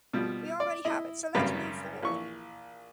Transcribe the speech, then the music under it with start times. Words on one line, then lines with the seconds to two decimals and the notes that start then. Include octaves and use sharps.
We already have it; so let's move forward.
0.13 B2 F3 G3
0.60 D5
0.85 E4 D#5
1.35 G#1 F#2 C#3 G3 B4 F5
2.02 A#1 E3 C#6